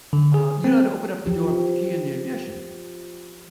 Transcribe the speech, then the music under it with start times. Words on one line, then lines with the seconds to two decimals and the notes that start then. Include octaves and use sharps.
uh, you know how to open up the door and put the key in the ignition,
0.13 D3
0.34 G#4
0.64 C4
1.26 F3 G4